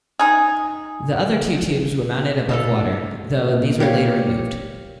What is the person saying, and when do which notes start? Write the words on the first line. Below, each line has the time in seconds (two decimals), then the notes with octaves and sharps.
The other two tubes were mounted above water, though these were later removed.
0.19 D#4 G#4
2.49 A4 F5 A5
3.40 A#2
3.80 G4 C#5 F5